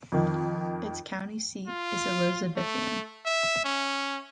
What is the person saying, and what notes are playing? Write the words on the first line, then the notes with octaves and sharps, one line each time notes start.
Its county seat is Elizabethton.
F2 D#3
F4
A3
E5
C#4